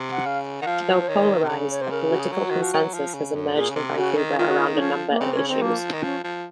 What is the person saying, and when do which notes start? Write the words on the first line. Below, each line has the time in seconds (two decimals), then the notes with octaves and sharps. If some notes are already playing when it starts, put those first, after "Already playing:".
Though polarized, a political consensus has emerged in Vancouver around a number of issues.
Already playing: C3
0.12 F#5
0.26 C#3 F5
0.62 D#3 F#5
0.66 F3 F5
1.01 C5
1.08 D#3 C#5
1.44 C3
1.49 C#3
1.70 C#5
1.81 C3 C5
1.91 C#3 A#4
2.10 F#4
2.19 G#4
2.32 F#3
2.46 D#3 F#4
2.62 F3
2.73 F#3
2.94 F3
3.14 C#3
3.35 F#2
3.55 A#2 G#4
3.69 C#3
3.76 C3
3.97 C#3 F#4
4.17 D#3
4.38 D#3 F4
4.49 F#4
4.59 F4
4.73 D#4
4.79 F3 C#4
5.10 A#3
5.20 C#3 C4
5.32 C3 C#4
5.41 C#3
5.48 D#3 C4
5.62 F3 A#3
5.93 D#3
6.03 F3 C#4
6.24 F3